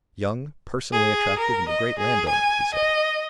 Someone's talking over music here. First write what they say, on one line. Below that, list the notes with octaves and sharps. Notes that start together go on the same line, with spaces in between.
"Young, personally attractive, and a great landowner," he said.
G#4
A#4
D#5
G#4
G#5
D#5